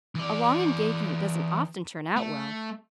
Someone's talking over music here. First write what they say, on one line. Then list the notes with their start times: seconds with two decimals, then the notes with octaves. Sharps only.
A long engagement doesn't often turn out well.
0.15 E3 D5
2.16 A3